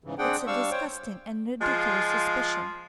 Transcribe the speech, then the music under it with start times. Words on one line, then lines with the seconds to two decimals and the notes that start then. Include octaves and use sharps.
It's a disgusting and ridiculous suspicion.
0.04 G#2 C#3 E3
0.18 C4 D4 G#4 F#5 G5
0.47 G3 D4 F5 C#6 E6
0.71 C5 C#5 G5
1.60 F3 G#3 F4